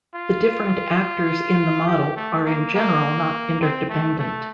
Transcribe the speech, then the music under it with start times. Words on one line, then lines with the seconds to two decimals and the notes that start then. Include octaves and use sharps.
The different actors in the model are in general not interdependent.
0.15 F4
1.87 G4
2.16 A3
2.45 A#3
2.74 A#3
3.61 C4
3.89 A3
4.19 A3